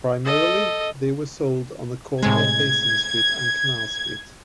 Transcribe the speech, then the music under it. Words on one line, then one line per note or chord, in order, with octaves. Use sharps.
Primarily they were sold on the corner of Basin Street and Canal Street.
A4 D#5
A2 C3 G#3 G#6